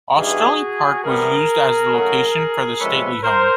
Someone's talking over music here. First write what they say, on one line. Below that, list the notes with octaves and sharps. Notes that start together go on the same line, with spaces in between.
Osterley Park was used as the location for the stately home.
G2 E3 G3 B3 D#4 F#4 G#4
C3 E3 G3 B3 G#4 A#4
F#2 C#3 F#3 A3
C3 F3 G#3 C#4 A4 B4
A#4 C5